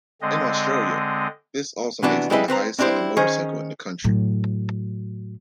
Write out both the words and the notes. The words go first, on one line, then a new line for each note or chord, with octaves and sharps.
In Australia this also makes them the highest selling motorcycle in the country.
D3 G#3 C4 D#5
C3 E3 B3 D4 F#4
G3 G#3 C4 E4 B4 D#5
C4 B4 C5 A#5
C4 D4 E4 G4 C5
D#3 C#4 G#4 C5
A2 F#3